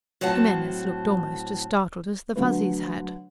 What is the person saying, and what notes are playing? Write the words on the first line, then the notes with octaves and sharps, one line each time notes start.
Jimenez looked almost as startled as the Fuzzies had.
A2 F#3 C4 F#5 A5
D3 F#3 A3 B4